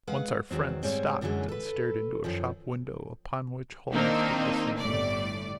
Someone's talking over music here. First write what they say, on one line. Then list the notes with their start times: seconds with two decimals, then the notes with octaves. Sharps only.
Once our friends stopped and stared into a shop window, upon which Holmes did the same.
0.07 G#3 B4 F5 F#5
0.51 E2 D#3 F#3 C4
0.83 G#2 G3 C4 C#5
1.21 F#2 D3 E3 F#3 G#3 C#4
1.48 A4 B4
2.24 F#2 D#3 F3
3.91 D#3 A#3 C4 D4 D#4
4.79 G1 A2 D5